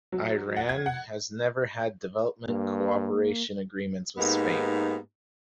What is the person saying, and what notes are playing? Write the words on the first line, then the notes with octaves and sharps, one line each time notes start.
Iran has never had development cooperation agreements with Spain.
F#3
F#5
G#6
F#5
G2 A#3
G#2 A#3 B3 D#4 G4